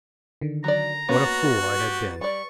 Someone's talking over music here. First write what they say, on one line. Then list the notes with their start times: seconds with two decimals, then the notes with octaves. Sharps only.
What a fool I had been!
0.41 D3 D#3
0.64 F#3 D5 A#5
1.09 A#3 B3 C#4 F#4 B4 A6
1.79 G4
2.21 G3 D5 C#6